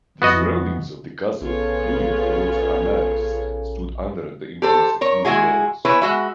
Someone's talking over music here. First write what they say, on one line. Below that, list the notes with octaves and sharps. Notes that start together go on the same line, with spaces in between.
The surroundings of the castle, including Groot-Ammers, stood under the influence of these lords.
F2 E3 B3 F#4 D#5
A#1 C#3 B3 F4 A4 C#5
G4 A4 C5
A#4 C#5
G#3 E4 F#4 G#4
E3 E4 B4 C#5
G#3 F#4 E5